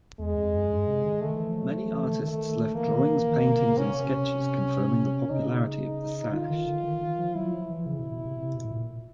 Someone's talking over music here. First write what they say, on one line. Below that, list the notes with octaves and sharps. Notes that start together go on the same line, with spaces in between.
Many artists left drawings, paintings and sketches confirming the popularity of the sash.
E2 G#3
F2
F#2
G2
C3
D3
D#3 A3
E3
F3
F#3
F3
E3
D3
D#3 A3
E3 A#3
D3
D#3
E3
D#3
D3
C#3
C3 C#4
C3
C3
C#3 D#4
D3 F4
D#3
D3
D#3
D#3
F3
F#3 E4
F3
E3
C#3 E4
B2
B2
C3
C3
B2
A2
A#2